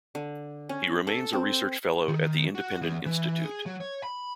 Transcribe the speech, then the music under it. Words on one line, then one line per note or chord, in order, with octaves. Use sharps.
He remains a Research Fellow at the Independent Institute.
D3
C#4
A4
C4
D#3
F#4
E2
E3
G#4
F#3
C#5
B5